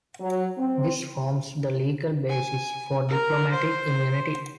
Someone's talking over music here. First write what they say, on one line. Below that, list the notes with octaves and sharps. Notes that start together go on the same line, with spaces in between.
This forms the legal basis for diplomatic immunity.
F#3
C4
G#5
A#4
C5